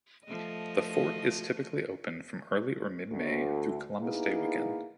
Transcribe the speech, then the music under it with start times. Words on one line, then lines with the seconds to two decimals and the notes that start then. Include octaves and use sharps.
The fort is typically open from early or mid May through Columbus Day weekend.
0.25 F3 A3 D#5
3.11 D2
4.00 A#3 B3 D#4 E4 G#4